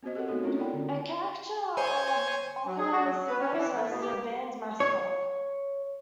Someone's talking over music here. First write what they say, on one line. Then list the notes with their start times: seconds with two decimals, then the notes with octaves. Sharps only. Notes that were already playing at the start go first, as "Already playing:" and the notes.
A caricature of Aukerman serves as the band's mascot.
0.03 B3 C4 F#4 C5 D#5
0.15 G4 A4 A#4 C#5 F#5
0.28 A3 B3 C4 D#4 F#4 A4
0.43 C#4 D4 F4 A#4 C#5
0.57 E4 A4 D5 F#5 G5 B5
0.73 D3 C#4
1.77 C5 C#5 G#5
2.66 F#3
2.79 G#4
2.92 F#4
3.05 F#3
3.28 B4
3.40 C#4
3.53 E3
3.75 A3
3.90 B2
4.01 G4
4.80 C#5